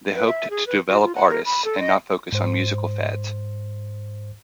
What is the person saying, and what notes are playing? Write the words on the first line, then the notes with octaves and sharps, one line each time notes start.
They hoped to develop artists, and not focus on musical fads.
B4
E5
G#4
B4
F#4
F4
F#5
A#4
B5
A4
D#5
G#2 C5